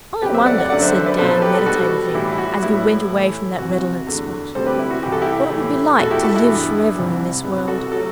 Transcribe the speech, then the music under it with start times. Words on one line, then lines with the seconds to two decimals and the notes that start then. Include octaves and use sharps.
"I wonder," said Dan meditatively, as we went away from that redolent spot, "what it would be like to live for ever in this world."
0.22 E2 C3 F#3 A3 G4 B4
0.34 C5 E5
0.46 D5 F#5
0.58 D5 F#5
0.70 F#2 D3 F#3 A3 D5 F#5
0.82 C5 E5
0.94 C5 E5
1.06 B4 D5
1.18 B2 F#3 B3 A4 C5
1.30 A4 C5
1.42 G4 B4
1.54 F#4 A4
1.66 B2 G3 B3 F#4 A4
2.14 A2 E3 G3 E4 G4
2.32 E4
2.38 F#4
2.62 A2 G3 B3 E4
3.10 A2 E3 A3
3.59 C2 C3 E3 F#4
4.07 E2 D3 A3
4.55 D2 C3 G3 A4 C5
4.66 G4 B4
4.79 E4
4.90 F#4
5.03 C2 C3 E3 G4
5.12 A4
5.22 E4 G4
5.51 A2 E3 A3
5.99 E2 B2 A3 F#4 A4
6.11 E4 G4
6.23 F#4 A4
6.36 E4
6.47 G2 E3 B3
6.95 C2 C3 E3 G3
7.44 C2 C3 G3 B3
7.68 F#4 A4
7.92 F#3 A3 F#4 A4